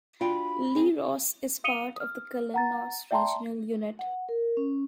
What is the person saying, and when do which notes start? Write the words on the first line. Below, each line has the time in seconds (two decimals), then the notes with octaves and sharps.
Leros is part of the Kalymnos regional unit.
0.21 D4 F4 F#4 G5 B5
0.76 C4 G#4
1.64 F5 D#6 C#7 D#7 F7 G7
1.96 D#6 F6
2.54 F#5 A#5 A6
3.11 D5 E5 G5 A5 A#5 C6
3.99 F#5
4.29 A#4
4.57 C#4